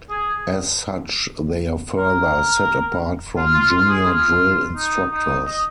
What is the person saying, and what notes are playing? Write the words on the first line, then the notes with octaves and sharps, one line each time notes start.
As such, they are further set apart from "junior" Drill Instructors.
G#4
A#4
F4
F4
F4
G#4
F4
D#4
D#4
D#5